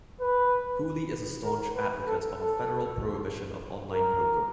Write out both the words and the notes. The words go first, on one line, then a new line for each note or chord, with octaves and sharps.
Hooley is a staunch advocate of a federal prohibition of online poker.
B4
A#4
B4
A4
A4
A#4